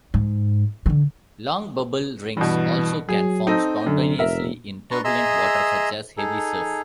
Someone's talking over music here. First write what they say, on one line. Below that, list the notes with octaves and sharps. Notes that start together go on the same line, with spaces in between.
Long bubble rings also can form spontaneously in turbulent water such as heavy surf.
G#2
D3 D#3
G2 B2 E3
F#3 G#4
C4 D#4 A4
F#2 D3
F1 A#4 E5
D4 B4 A5 A#5 C6 C#6
G#4 D#5 E5 A#5 C6 E6
D#4 G#4 A4